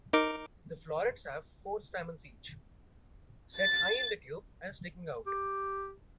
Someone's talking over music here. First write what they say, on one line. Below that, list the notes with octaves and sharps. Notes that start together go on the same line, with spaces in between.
The florets have four stamens each, set high in the tube, and sticking out.
D#4 A#4 D6
A6
G4